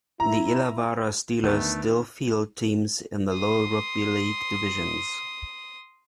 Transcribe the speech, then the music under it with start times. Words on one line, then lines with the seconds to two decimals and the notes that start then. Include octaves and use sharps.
The Illawarra Steelers still field teams in the lower rugby league divisions.
0.20 E4 A#5
1.44 D2 D#3 A3 B3
3.33 C6 D#6